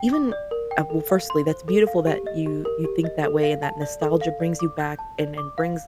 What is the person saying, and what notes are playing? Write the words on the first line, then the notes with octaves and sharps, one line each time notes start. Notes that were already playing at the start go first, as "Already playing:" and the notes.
even uh, well, firstly, that's beautiful that you you think that way, and that nostalgia brings you back and and brings
Already playing: G5
D6
D5
A#4
G5
A4
F5
C6
C5
A4
F5
G4
D#5
G4
A#4
G4
D#5
A4
F5
A5
D5
A4
F5
D5
D6
G6
A5
D5
D6
F5